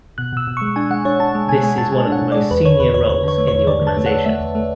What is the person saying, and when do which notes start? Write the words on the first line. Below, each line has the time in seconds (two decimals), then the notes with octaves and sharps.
This is one of the most senior roles in the organisation.
0.18 B2 F#6
0.33 B2 E6
0.47 B2
0.57 G#3 C#6
0.76 D4 G#5
0.90 G#3 F#5
1.05 D4 C#5
1.20 D4 A5
1.35 G#3
1.49 B2 G#5
1.63 G#3 G#5
1.78 B2 A5
1.92 G#3 G#5
2.07 D4
2.12 F#5
2.22 B2
2.32 G#3 D5
2.51 E2 B4
2.65 D3 C#5
2.80 E2 B4
2.94 E2 C#5
3.09 E2 C#5
3.23 D3 C#5
3.38 A3
3.48 E2 C#5
3.67 D3 D5
3.82 D3
3.87 A5
3.97 A3
4.06 F#5
4.11 A3
4.26 A3 E5
4.40 E2
4.55 A3